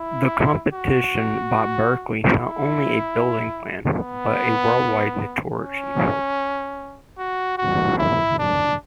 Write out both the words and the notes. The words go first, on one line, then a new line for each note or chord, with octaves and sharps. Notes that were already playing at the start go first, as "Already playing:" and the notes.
The competition brought Berkeley not only a building plan but worldwide notoriety.
Already playing: E4
F#4
E4
B3
C#4
F#4
F#4
E4
D4